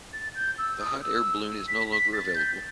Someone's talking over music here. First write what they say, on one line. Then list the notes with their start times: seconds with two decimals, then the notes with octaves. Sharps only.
The hot air balloon is no longer available.
0.13 A6
0.35 G6
0.58 E6
0.81 D#6
1.03 E6
1.68 B6
1.92 B6
2.13 A6
2.35 G6